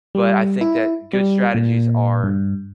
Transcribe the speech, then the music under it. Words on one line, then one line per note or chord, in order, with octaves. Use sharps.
but I think that good strategies are,
G3
E4
G3
A#2
G2